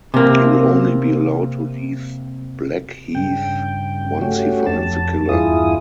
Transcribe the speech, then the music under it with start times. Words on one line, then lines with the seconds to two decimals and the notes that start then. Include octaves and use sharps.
He will only be allowed to leave Blackheath once he finds the killer.
0.14 C3 A#3
3.15 G2 C#3 G5
4.21 A3 C#4 F#4 G4
4.66 F2 A5
5.29 E2 G2 E4 F4 G#4 D#6